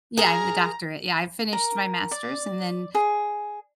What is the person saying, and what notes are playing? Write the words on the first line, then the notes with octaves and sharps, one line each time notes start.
Yeah, I have the doctorate. Yeah, I've finished my master's and then
G#4 A#4 A#5
A#4
D5
G#4